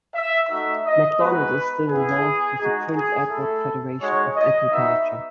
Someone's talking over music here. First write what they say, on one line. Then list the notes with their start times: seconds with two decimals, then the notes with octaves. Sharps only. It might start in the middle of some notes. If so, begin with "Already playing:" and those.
MacDonald is still involved with the Prince Edward Federation of Agriculture.
0.15 E5
0.50 A3 D#4 F#4 E5
0.86 D#5
1.20 G#3 B3 D#4 F#4 B4
1.90 B3 E4 G#4
2.60 G#3 D#4 F#4
2.96 G#4
3.30 A3 E4 A4
4.00 G#3 D#4 F#4 C#5
4.35 D#5
4.70 B3 D#4 F#4 E5